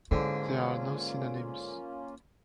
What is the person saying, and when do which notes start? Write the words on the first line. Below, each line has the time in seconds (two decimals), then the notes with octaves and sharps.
There are no synonyms.
0.11 G#2 D3 A#3 C#4 E4 F4